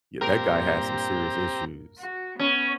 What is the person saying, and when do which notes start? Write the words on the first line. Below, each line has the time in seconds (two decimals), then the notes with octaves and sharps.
Yeah, that guy had some serious issues.
0.21 G2 A#2 C4 G4 A#4 A#5
1.98 F#4
2.39 B3 C#4 C#5